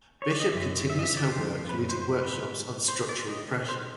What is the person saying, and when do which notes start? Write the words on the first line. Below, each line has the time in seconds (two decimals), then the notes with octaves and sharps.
Bishop continues her work leading workshops on structural oppression.
0.22 C#5
0.31 D5
0.40 D#5
0.50 F#2 E5
0.90 G2 E5
0.99 D#5
1.03 E5
1.17 D5
1.30 F2 C5
1.69 F#2 B4
1.89 C5
2.02 C5
2.09 G#2 B4
2.88 C5
3.09 D5
3.29 A2 D#5
3.69 C5